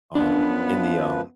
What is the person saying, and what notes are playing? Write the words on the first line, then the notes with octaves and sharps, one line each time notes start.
on in the, um,
F#2 F3 B3 D4 B4